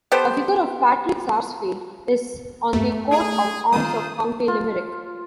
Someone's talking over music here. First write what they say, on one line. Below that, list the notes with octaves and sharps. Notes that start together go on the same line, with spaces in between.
A figure of Patrick Sarsfield is on the coat of arms of County Limerick.
B3 G4 A4 C5
E2 G2 A3
D#4 G#4 D5 F5
D3 D#3 G3 A3 F4 C5 D#6
F4